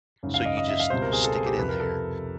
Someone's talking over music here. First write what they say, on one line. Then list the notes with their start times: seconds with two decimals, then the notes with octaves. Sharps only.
So you just stick it in there,
0.23 G#1 F#2 C#3
0.34 F5
0.45 D#5
0.57 D#5
0.68 E5
0.80 F5
0.90 C#2 B2 G3 C4 C5
1.02 A#4
1.12 G#4
1.24 A4
1.35 G#4
1.46 G4
1.57 F2 C3 F3 B4
1.69 A#4
1.80 A4